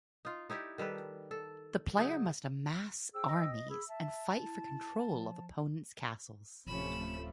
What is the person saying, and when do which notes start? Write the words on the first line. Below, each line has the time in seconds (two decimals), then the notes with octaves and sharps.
The player must amass armies and fight for control of opponents' castles.
0.25 D#4 F4
0.50 D#4 E4 G4 D5
0.78 D#3 G3 A4 B4
1.31 A4
1.98 C#3 F#3 D#4
3.14 G#4 C5 G5 E6
3.28 D#5
3.70 G#4 B5 E6
3.88 E5 A5
4.36 E4
5.11 F3
6.67 D1 C3 F3 A3 C#4 B5 E7